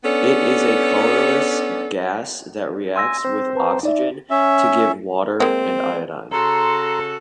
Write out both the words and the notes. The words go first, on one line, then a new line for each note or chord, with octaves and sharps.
It is a colourless gas that reacts with oxygen to give water and iodine.
B3 C#4 D4 A4
G#5 C6 E6 A#6
C4 C5
B4 A5 A#5
D#4 D5 E5
C#4 E5
G#3 A#3 C4
C#3 F#4 A4 A#5 C6